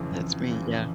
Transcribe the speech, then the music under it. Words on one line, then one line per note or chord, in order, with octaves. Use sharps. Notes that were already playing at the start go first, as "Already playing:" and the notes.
That's me, yeah.
Already playing: F2 C#3 E3
F2
C#3 E3